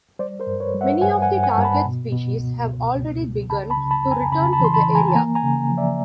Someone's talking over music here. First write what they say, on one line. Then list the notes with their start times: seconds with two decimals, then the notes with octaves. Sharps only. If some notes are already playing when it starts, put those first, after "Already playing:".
Many of the target species have already begun to return to the area.
0.19 G3 C5 D5
0.40 A#4 C5
0.47 G2
0.60 B4 C#5
0.74 G3
0.81 E5 F#5
1.02 G2 F#5 G#5
1.22 F#5 G#5
1.30 G2
1.43 F#5 G#5
1.57 G2
1.64 A5 B5
1.85 B2
2.12 B2
2.39 C#2
2.68 C#2
2.96 C#2
3.22 C#2
3.50 C#3 A5 B5
3.70 A5 B5
3.77 C#3
3.91 A5 B5
4.05 F2
4.11 G#5 A#5
4.32 C#3 A5 B5
4.53 A5 B5
4.60 E3 C6
4.74 A5 B5
4.87 E3
4.95 G#5 A#5
5.08 A5
5.15 A#3 G#5 A#5
5.35 G#5 A#5
5.43 C#3
5.70 F3
5.77 D5 E5